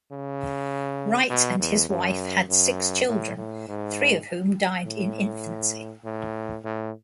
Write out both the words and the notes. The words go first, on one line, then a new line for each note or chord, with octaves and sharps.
Wright and his wife had six children, three of whom died in infancy.
C#3
B2
E2
F#2
F#2
A2
A2
G#2
A2
A2
A2